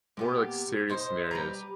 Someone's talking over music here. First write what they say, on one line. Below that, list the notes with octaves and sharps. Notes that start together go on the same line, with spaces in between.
more, like, serious scenarios,
A#2 B3 G4
D#4 C5
G3 B4 A#5